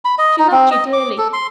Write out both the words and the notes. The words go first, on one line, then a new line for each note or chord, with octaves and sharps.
She loved yo' dearly.
B5
D#5
D#4
C4
D#5
D6
A4
C6